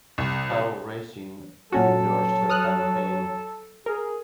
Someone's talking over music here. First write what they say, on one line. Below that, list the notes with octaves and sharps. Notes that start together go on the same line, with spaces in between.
Karl Racine endorsed her campaign.
C2
A#2 F#3 C#4 F#4 A4
D#6 F6 F#6
G#4 A#4